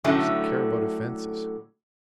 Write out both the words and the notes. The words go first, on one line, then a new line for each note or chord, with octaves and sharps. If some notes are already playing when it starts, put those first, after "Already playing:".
What does it care about offences?
A2 D3 F#3 A3 C#4